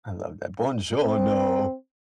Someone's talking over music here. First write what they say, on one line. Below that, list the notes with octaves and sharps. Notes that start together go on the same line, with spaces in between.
I love that. Buongiorno.
C4